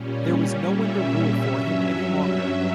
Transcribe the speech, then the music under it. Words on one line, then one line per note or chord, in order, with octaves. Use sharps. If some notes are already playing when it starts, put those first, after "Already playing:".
There was no one to rule for him any longer.
Already playing: A#2 G3 C#4
E5
G2 F#3 C#4
E5